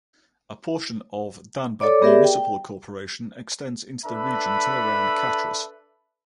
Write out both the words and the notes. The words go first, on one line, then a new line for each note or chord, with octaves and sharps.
A portion of Dhanbad Municipal Corporation extends into the region till around Katras.
A4 C#5 D5 D6
B3 G4 G#4 A#4 D5 E5
G5
D4 A4 B4 E5 B5